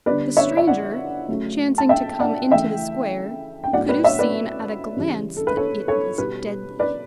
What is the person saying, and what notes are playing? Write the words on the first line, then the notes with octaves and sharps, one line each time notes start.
The stranger, chancing to come into the square, could have seen at a glance that it was deadly.
D3 G3 B3 B4 D5
C#5 E5
E5
D5 F#5
C#3 F#3 A3
A5
E5 G5
D5 F#5
C#3 E3 A3 E5 G5
G5
A2 F#3 B3 D5 F#5
B4 D5
C#5 E5
B4 D5
C#3 E3 G3
A4
B4
A4 C#5
A4 C#5
B2 G3 B3 B4
B4 D5